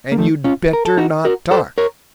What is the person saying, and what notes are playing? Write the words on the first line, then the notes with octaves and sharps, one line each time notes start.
And you'd better not talk.
A#3
F3 A3
C#4 F4
A#4
A4
D#4 F#4
F#4 A#4
A4 C5
A#4 C#5